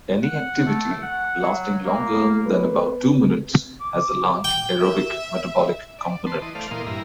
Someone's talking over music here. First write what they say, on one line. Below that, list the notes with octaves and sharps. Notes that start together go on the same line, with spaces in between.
Any activity lasting longer than about two minutes has a large aerobic metabolic component.
F#5
A3
F#5
F#3
A#3
B3
D6
G5
E5
D5
B4 A5 C6
E3 D#5
A3 C5 D5 F5
A#2 E3 A#3 D#5 C6
G2 E4 A#5